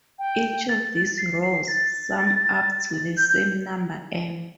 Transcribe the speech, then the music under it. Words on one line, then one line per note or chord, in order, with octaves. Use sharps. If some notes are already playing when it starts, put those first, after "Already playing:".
Each of these rows sum up to the same number "M".
G5
A6
A6
C7
C7
A6
G6
G6